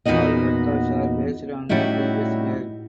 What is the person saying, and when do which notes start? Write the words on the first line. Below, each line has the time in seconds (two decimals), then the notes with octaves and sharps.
All records are based on the previous year.
0.05 E2 A#2 B3 D#4 F#4 D#5
1.69 A2 G3 C#4 D#4 E4 F#4